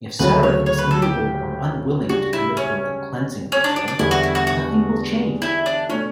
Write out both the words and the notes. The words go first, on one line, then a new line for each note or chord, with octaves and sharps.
If Sareth is unable or unwilling to undergo the cleansing ritual, nothing will change.
D2 C#3 F#3 C#4 B4
C#5
C#5
B4
A4
G4
C#3 G3 D4 F#4 G4
E4
C#4
C#4
D4
D4
D4
E2 D3 G3 D4 E4
F#4
E4
F#4
F#4
E4
D4
B2 A3 C#4 D4